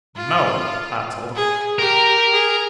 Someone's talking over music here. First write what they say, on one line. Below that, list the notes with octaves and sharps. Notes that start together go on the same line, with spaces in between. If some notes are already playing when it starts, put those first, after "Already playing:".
No,' I told him.
F4
G#4
G4 A#4
G#4